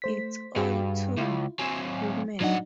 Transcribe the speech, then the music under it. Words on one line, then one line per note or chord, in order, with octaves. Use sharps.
It's all too... human.
A3 C5 B6
G2 F#4 G#4
C#2 E4 F4
F#3 C4 G#5
A2 F#3 D4 D#4 F#5